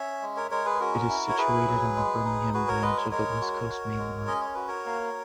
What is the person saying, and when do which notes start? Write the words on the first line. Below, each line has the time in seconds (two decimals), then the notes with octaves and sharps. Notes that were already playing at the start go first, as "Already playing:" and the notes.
It is situated on the Birmingham branch of the West Coast Main Line.
Already playing: C#4 C#5 E5
0.22 G#3
0.36 A#4 C#5
0.51 G#3 A#4 C#5
0.66 G#4 B4
0.80 C#4 F#4 A#4
1.09 E4
1.29 C#5
1.38 E4 G#4 B4
1.66 F#3
1.96 G#3
2.25 D#4
2.54 F#4 G#4 B4
2.68 A#4 C#5
2.82 G#3 B4 D#5
2.97 A#4 C#5
3.11 G#3 A#4 C#5
3.41 F#4
3.70 F#4
3.98 G#3
4.27 C#4 D#5
4.41 C#5
4.54 F#4 B4
4.68 A#4 C#5
4.86 A#3